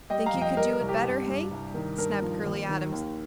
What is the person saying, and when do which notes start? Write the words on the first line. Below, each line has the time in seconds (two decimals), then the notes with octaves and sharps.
"Think you could do it better, hey?" snapped Curley Adams.
0.10 G3 D#5 G5
0.26 F5 A#5
0.34 F2
0.42 D#5 G5
0.57 G3 A#4 D#5
0.73 A#4
0.80 C2
0.89 G4
1.04 G2
1.28 G2
1.51 C2
1.74 D#3
1.98 G2 A#4
2.22 F3
2.45 D#2
2.69 D#3
2.92 D#2